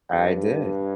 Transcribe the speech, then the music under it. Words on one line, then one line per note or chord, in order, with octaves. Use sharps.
I did.
G2